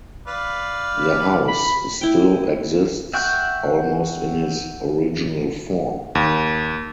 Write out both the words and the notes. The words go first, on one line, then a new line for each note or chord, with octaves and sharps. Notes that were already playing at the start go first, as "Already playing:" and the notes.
The house still exists almost in his original form.
B4 D5 F5
B5
E4 G5
E5 F#5 G5 C#6
D#2